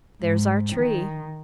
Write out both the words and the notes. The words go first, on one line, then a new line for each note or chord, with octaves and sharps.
"There's our tree."
G#2
D#3